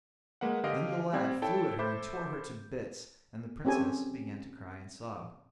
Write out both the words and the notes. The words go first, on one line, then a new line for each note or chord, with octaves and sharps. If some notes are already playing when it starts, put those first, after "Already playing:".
Then the lad flew at her and tore her to bits, and the Princess began to cry and sob.
G#3 A#3 B4 F#5
D3 G4 D#5 F5 D7
G3 C4 D5 G#6
E4 A4 C#5 G5 A5
A4 C5 E5 B5 D6 G6
C4 C#4 G4 A4 G#5